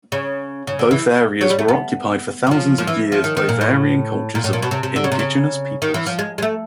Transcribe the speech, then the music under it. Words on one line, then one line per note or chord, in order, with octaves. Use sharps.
Both areas were occupied for thousands of years by varying cultures of indigenous peoples.
C#3
C#3
D3
E3
F#3
G3
A3
B3
F#3
F3
F3
E3
F3
D#3
D#3
A#2
A2
A#2
A2
A#2
B2
C3
C3
D3
C#3
C3
C#3
D#3
E3
F3
G#3
G#3
A3